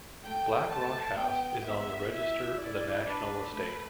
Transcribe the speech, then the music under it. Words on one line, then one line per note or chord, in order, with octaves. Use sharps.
Black Rock House is on the Register of the National Estate.
A3 G5
A5
B3 G5
B3 E5
E4 E5
E4 D5
D4 B4
A3 B4